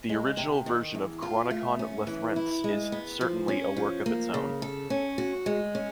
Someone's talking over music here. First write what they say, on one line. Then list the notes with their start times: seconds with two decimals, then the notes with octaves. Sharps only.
The original version of "Chronicon Lethrense" is certainly a work of its own.
0.09 G#3
0.37 C3
0.66 D#3
0.95 E2
1.22 F4
1.51 A3
1.79 C#4
2.07 E3
2.36 E4
2.64 G#3
2.92 B3
3.21 F3
3.48 C#4
3.77 F3
4.06 A#3
4.34 C#3
4.62 A4
4.90 C#4
5.18 F#4
5.46 G#3
5.75 C#4